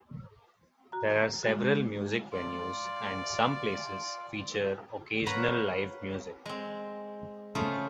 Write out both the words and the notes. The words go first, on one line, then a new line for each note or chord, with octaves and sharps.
There are several music venues and some places feature occasional live music.
F#4 A#5
G#3 F#4
F4 D5
A#4 B4 C#5 F5 F#5 A#5
G#3 C4
C#3 A3 F4 G#4 C5